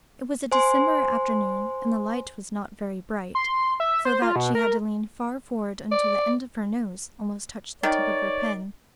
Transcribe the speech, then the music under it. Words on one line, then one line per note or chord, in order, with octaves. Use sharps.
It was a December afternoon, and the light was not very bright, so that she had to lean far forward until the end of her nose almost touched the tip of her pen.
C5 G#5 C6
C6
E5
C5
F4
B2
A#4
D5
D#3 C#5 D5